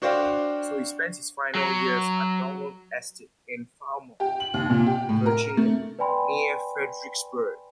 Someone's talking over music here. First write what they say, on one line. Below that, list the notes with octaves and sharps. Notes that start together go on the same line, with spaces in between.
He spent his final years at Belmont Estate in Falmouth, Virginia, near Fredericksburg.
D4 F#4 C5 D5 F5 G5
F#3
G4
F#7
D#2
A#2
G4
A2
A#4
A3
B4 D5 G5 G#5 B5 C6